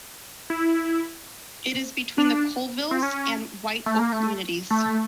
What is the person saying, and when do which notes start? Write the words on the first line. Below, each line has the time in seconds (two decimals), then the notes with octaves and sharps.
It is between the Colesville and White Oak communities.
0.50 E4
2.18 D4
2.91 C4
3.03 C#4
3.86 A3
3.99 A#3
4.12 A3
4.71 A3